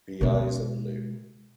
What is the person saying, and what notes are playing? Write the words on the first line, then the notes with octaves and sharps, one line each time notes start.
The eyes are blue.
B2 G#3